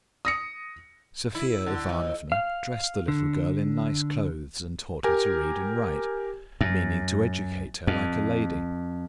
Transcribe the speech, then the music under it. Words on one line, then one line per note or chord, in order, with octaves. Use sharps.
Sophia Ivanovna dressed the little girl in nice clothes, and taught her to read and write, meaning to educate her like a lady.
D#6 A#6 C#7
E4
D3
F2
F5
D3
G4 A#4 G#5
F#2
F2